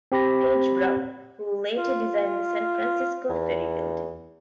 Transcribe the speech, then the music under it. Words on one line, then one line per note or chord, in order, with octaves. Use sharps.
Page Brown, who later designed the San Francisco Ferry Building.
C4 G4 B5 A#6
F4
E2